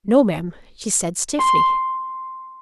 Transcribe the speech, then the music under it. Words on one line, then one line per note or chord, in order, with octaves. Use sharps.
"No, ma'm," she said stiffly.
C6